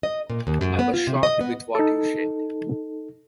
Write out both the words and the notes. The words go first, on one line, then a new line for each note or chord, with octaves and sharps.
I was shocked with what you said.
D#5
A#2
D#2
F#2
B3
F4
C3
D#5
B3
D#4 A4